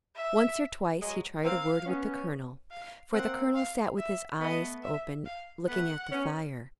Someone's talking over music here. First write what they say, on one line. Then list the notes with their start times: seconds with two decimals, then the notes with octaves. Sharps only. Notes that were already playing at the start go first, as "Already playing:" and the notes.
Once or twice he tried a word with the colonel, for the colonel sat with his eyes open looking at the fire.
0.15 E5
1.01 F#3 G#3
1.43 A#3 C4 F5
1.86 B3 C#4
2.71 F5
3.13 A#3 C4 F#5
3.55 F5
3.98 E5
4.40 A3 B3 D#5
4.83 E5
5.25 F5
5.68 A3 B3 F#5
6.10 B3 C#4